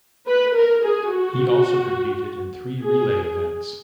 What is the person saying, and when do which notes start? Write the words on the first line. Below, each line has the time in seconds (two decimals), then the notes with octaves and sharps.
He also competed in three relay events.
0.27 B4
0.55 A#4
0.84 G#4
1.11 F#4
2.81 G#4